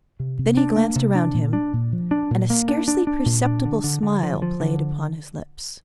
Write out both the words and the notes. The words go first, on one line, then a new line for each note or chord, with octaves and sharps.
Then he glanced around him, and a scarcely perceptible smile played upon his lips.
C3
C3
D4
A#3
C3
D4
A#2
D4
A#2
F3
D4
A#2
A#3
D4
D4
D4
A#2
D4
D3
D3
D3
F3
F3
D3